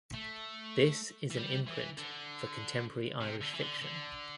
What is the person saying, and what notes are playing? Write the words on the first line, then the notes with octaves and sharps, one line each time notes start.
This is an imprint for contemporary Irish fiction.
A3
E3
G3
E3
D3
C3
D3
E3
D3
D3